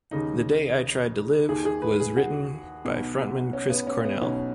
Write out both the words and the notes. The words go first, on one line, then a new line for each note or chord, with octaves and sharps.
"The Day I Tried to Live" was written by frontman Chris Cornell.
D#2 C#3 D#4
D#2 D#3 G#4
G#4
B4
G#4
F#4
B1 B2
C#4
B3
C#4
B3
B1 B2 C#4